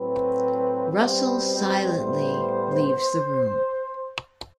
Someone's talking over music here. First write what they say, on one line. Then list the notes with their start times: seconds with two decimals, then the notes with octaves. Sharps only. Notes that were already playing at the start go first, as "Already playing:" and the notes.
Russell silently leaves the room.
Already playing: A2 F#3 C4 B4
0.91 B2 G3 C4 C5
1.95 A2 G3 B3 C5